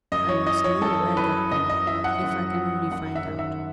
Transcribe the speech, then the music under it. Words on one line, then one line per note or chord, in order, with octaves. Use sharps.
I must know where they've gone--if I can only find out.
F#2 D#5
C#5
E3 D#5
C#5
F#2 A4
E3 B4
F#2 D#5
D#5
E3 E5
F#5
F#2
E3
F#2 F#5
E5
D#3
E5